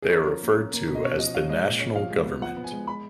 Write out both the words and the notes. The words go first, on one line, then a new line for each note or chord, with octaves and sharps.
They are referred to as the "National Government".
G#4
C#4 A#4
F3
A#3
C#4
A#3
B2
D#5
C#4 C#5
F3 D#5
C#4 F5
G#3 D#5
A#2
C#4
F3 F5
G#3
B3
F3 F#5
B3
G#5
G#3
G#3 B5